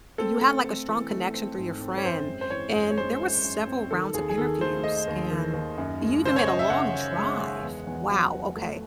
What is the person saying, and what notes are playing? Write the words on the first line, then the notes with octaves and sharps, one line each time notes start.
You had, like, a strong connection through your friend, and there were several rounds of interviews, and you even made a long drive! Wow, okay.
C4 A4
A3
C4
E3
A3
C4
G#2
C4
C#5
F#2 C5
G#3
C5
E3 C#5
F#2
C#5
G#3 C5
F#2
F#2
C4
D#3 A4
D#2 G#4
G#4
D#3 A4
A3 C5
A3 D#5
D#2
D#3
D#2
F#2
G#3
C#3 C5
C#5
F#2 D#5
E5
C#3 F#5
F#2
G#3
G#3
E2
E2
F#3
E2
A3